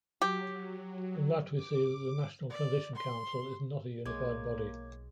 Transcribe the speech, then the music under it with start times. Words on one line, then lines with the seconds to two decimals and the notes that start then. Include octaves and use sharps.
From that we see that the National Transitional Council is not a unified body.
0.22 F#3 G4
1.56 D6
2.50 D5
2.95 C6
4.06 B1 G#3 A#3 C#5 D6 G#6